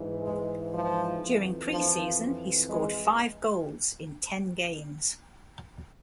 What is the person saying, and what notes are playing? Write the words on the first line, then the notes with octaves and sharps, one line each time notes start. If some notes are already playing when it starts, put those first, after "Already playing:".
During pre-season, he scored five goals in ten games.
Already playing: G#2 E3
G#3
F3
F2 E3
F3
G#3